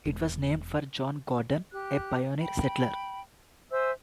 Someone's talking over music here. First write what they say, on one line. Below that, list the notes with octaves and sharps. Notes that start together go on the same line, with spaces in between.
It was named for John Gordon, a pioneer settler.
E1
G4 F#6
G5 B5
C5 E5 G#5 E6